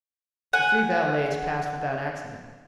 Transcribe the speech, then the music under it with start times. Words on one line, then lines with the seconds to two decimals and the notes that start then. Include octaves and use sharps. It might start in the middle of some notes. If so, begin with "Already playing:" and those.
The three valets passed without accident.
0.53 F#5 G#5